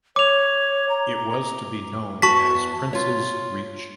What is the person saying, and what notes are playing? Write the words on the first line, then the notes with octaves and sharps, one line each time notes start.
It was to be known as "Princes Reach".
C#5 D6 F7
A#5
E2 F#4 A5 C#6 B6
F4 C#5